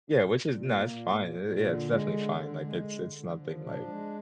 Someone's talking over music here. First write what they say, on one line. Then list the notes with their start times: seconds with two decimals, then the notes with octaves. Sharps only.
Yeah, which is nah, it's fine, i yeah, it's definitely fine, like, it's it's nothing, like,
0.16 A#2
0.41 A#2
0.66 A#3
0.90 A#2
1.15 A#2
1.40 A#2
1.64 D3
1.89 G#3
2.14 D3
2.39 D3
2.63 G#3
2.89 D3
3.14 D3
3.37 F3
3.63 D4
3.87 G#3